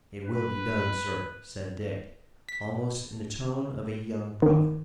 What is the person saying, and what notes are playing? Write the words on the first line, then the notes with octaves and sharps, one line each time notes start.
"It will be done, sir," said Dick, almost in the tone of a young prophet.
B4
B6
D#3